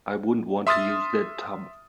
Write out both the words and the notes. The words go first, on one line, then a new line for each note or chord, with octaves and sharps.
I wouldn't want to use that tub.
E5 C6 D#6 F6 A6